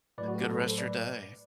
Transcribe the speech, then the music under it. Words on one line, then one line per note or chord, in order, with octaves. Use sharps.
good rest of your day.
A2 F#3 A3 B4 D5
F#4
G4
A4
B4
A4 C5
B4 D5